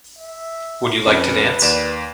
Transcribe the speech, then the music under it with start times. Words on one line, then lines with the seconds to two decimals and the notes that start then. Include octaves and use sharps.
Would you like to dance?
0.18 E5
1.06 F2 C#4 B4
1.62 D#2 D5 E7